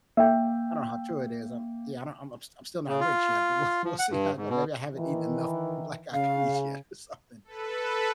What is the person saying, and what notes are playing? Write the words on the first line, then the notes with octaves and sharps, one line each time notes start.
I don't know how true it is. I'm yeah, I'm I'm st I'm still not rich yet, but we'll we'll see how it go maybe I haven't eaten enough black-eyed peas yet or something,
A#3 E5 G5
C#3
F4
F3
F#5
G2
G#2
B2
D#3 E3
C#3 F5
A4 B4